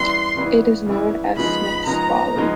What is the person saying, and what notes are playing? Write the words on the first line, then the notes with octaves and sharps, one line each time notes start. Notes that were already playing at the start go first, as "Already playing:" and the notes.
It is known as "Smith's Folly".
Already playing: C#3 E3 G3 B3 E4 C6
C#3 E3 G3 B3 E4
C#3 E3 G3 B3 E4
C#3 F3 G#3 B3 D#4 B5
C#3 F3 G#3 B3 D#4 A#5
C#3 F3 G#3 B3 D#4